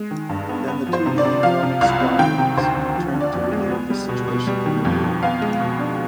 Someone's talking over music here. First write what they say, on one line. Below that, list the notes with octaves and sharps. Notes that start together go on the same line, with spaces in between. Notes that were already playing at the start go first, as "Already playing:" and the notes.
Then the two leading Roman squadrons turned to relieve the situation in the rear.
Already playing: G#3
D#3
G2
B3
B3
F3
C5
C3
D5
C3
F3 F5
C3
C2 F5
C4
D#3 G5
C3
D2 C5
D2
F3
D3
D5
F2
G#3
B3
G3
B2
B2
G3
D#3
F2
F2
B3 F5
G#3
B2
D4